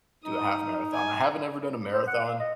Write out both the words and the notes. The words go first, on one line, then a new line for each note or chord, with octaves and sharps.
do a half marathon," I haven't ever done a marathon,
D#4 D#6
G#5
C5
F#5
F5
D#5